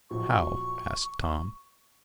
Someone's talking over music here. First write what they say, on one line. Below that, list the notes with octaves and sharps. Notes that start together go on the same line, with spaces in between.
"How?" asked Tom.
A#1 A#2 F#3 C#6